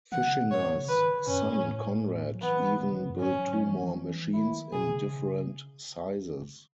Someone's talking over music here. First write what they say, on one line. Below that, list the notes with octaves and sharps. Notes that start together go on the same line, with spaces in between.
Fischinger's son Conrad even built two more machines in different sizes.
D#3 F#5
C#3
B2
A2
G#2 C#5
C#3
D#3 B4
F#2 C#4
G#2
A2
F#3
E3 B3
C#3
D#3
C#3
F#2
G#2 C#4
F#3
D#3
E3
E3
E3
D#3 E4
B2 G#4
C#3